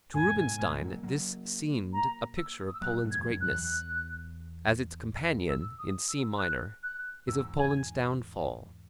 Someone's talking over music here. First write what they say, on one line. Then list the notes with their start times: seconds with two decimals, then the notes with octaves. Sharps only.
To Rubinstein this seemed a picture of Poland's greatness, as its companion in C minor is of Poland's downfall.
0.14 E2 G#2 G#5
0.36 G#2 B2
0.58 G#2 B2
0.81 F#3 A#3
1.03 F#3 A#3
1.93 A#5
2.37 E6
2.66 D#6
2.74 E6
2.81 F#3 A#3 F#6
3.04 G#2 B2
3.11 G#6
3.17 E2
3.26 F#2
3.41 F#6
3.49 E2
5.49 E6
5.79 D#6
6.09 E6
6.38 F#6
6.83 F#6
7.28 E2 G#2 E6
7.57 G#5